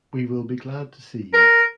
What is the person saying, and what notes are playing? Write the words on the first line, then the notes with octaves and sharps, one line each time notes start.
We will be glad to see you!
A#4